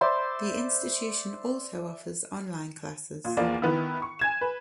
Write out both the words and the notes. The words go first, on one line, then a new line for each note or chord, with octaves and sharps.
The institution also offers online classes.
C5 D5 E5 C6
A#2
E2 F3 A#3 D5
D#3 B3 E4
C#6
G#5 G#6 E7
B4